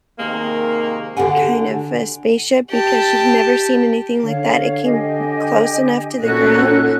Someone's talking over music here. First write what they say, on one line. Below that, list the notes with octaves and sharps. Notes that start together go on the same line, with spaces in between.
kind of a spaceship because she's never seen anything like that. It came close enough to the ground
C3 D#3 G#3 A#3
D3 F#4 G4 F#5 G#5
G4 A5
D3 C#5 F5
G4 D#5 G#5
A#2 C#4 D#4 F#4 A4 F#6